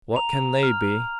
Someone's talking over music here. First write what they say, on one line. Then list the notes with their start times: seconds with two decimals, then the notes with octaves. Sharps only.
What kin they be?
0.16 A#5 F7
0.63 F6